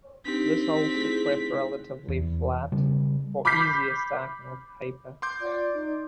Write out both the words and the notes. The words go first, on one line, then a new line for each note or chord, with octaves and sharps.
This holds the clip relatively flat, for easier stacking of paper.
C4 D4 D#4 G4 B6
A3 E4 G#4
E2
C#3 G3
B5 D6 F6 G6 B6 C7
C6 D6 G6
F4 D5
D#4